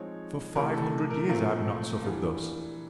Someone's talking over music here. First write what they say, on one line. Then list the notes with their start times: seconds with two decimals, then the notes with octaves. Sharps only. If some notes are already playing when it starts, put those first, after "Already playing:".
For five hundred years I have not suffered thus.
Already playing: F3 G#3 C4 D#4 C#5
0.55 C3 E3 A3 A#4
0.74 A4
1.10 A#4
1.29 A#2 F3 A3 C4 A#4
2.03 E3 G3 B3 D4 F4